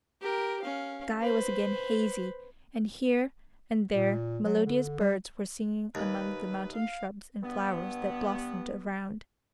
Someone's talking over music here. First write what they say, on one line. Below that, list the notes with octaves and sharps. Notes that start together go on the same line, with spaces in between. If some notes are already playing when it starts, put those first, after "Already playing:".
The sky was again hazy, and here and there melodious birds were singing among the mountain shrubs and flowers that blossomed around.
G4 A#4
C#4 F5
B4 C5
A#2
F#3
D3
G3
D#2 B4
F5
G2 B3